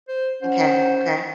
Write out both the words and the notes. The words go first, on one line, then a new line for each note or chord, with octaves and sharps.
Okay. Okay.
C5
C#4 C5 F#5